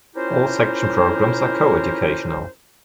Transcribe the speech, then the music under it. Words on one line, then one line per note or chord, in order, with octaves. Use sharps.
All section programs are coeducational.
C#4 E4 F4 G4 A#4 C5